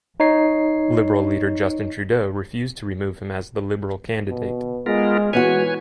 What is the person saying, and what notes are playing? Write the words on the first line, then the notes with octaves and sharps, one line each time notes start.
Liberal leader Justin Trudeau refused to remove him as the Liberal candidate.
D#4 C#5 C7
B2
G#3 B3 F4 A#4
E3 G#3 B3 F#4 B4 C#5 G#5